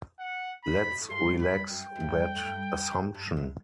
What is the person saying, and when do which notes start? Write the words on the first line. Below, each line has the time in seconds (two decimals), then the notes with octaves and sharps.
Let's relax that assumption.
0.19 F#5
0.64 B5
0.91 B2
1.01 A2
1.09 G2 C6
1.30 A2
1.40 G2 B5
1.70 F#2 G5
1.96 F#2
2.00 G2
2.35 A2
2.45 G2
2.91 F#2
3.14 G2
3.37 F#2